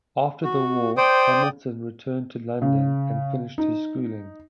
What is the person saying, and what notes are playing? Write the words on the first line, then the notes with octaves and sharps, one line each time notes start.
After the war, Hamilton returned to London and finished his schooling.
F#4
C5 D5 G5 D#6
C#3
D#4